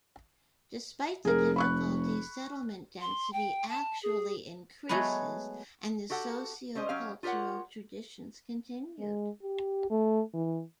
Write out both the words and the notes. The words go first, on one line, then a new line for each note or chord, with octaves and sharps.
Despite the difficulties, settlement density actually increases, and the socio-cultural traditions continued.
F1 G#4 A#4
B5 C#6 F#6
C6
G5
A5
G#4
F#3 G#3 A3 B3 B4
F#4 G4 A4 F#5
G3 C#4 C5 D#5
F#3 C#4 G4 F5
F4 G4 A#4 C#5 F#5
G#3
G4
A3
E3